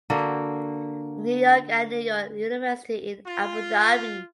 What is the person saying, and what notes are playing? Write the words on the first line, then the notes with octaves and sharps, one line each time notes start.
New York and New York University in Abu Dhabi.
D3 A#3 F#4
F4